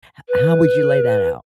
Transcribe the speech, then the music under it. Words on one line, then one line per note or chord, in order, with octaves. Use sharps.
H how would you lay that out?
B4